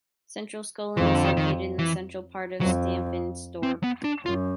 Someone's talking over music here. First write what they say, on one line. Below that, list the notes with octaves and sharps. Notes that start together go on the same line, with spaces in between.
Centralskolan was located in the central part of Staffanstorp.
F2 E3
D#3
D3
D#3
D#3
E3
F2 F#3
C4
B3
D4
F#2 F4